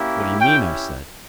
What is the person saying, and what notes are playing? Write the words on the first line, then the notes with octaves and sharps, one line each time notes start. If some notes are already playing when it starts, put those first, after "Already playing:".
"What do you mean?" I said.
Already playing: A#3 C#4 E4 G4
C#4 E4 G4 G5